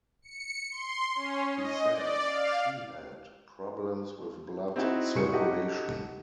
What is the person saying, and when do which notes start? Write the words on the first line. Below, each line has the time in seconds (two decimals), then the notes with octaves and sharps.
He said she had problems with blood circulation.
0.22 C#7
0.71 C6
1.15 C#4
1.55 D#5
1.91 D5
2.25 F5
4.76 C4 D#4 E4 F#4 G#4
5.15 A2 G3 G#4 C#7
5.33 D#4 F#4 G4 A4 D#5